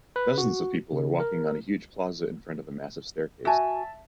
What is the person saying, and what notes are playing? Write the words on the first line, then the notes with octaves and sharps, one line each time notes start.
Dozens of people are walking on a huge plaza in front of a massive staircase.
B4
F#4
C#3
A#4
F#4 E5 G#5 A5